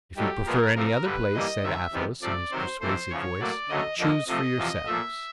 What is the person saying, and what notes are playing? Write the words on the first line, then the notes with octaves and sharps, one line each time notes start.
"If you prefer any other place," said Athos, in his persuasive voice, "choose for yourselves."
G2 D#3 F#3 A3 G4
A#2 F3 G#3 B3 A#4
C3 F3 A3 A#4
G2 D3 G3 B4
G2 E3 G3 A#3 D#5
D2 C3 D#3 E5
E2 C3 D#3 G3 B3
C3 F3 A3 D5
C3 D#3 F#3 C5
F2 C3 E3 A3 C5
E2 C#3 F3 C#5
A2 F#3 A#3 D5
D2 C#3 F#3 A3 D#5
F2 D3 F3 A#3 D#5
C3 F3 A3 D#5
E2 C3 F3
A#2 F3 A3 E5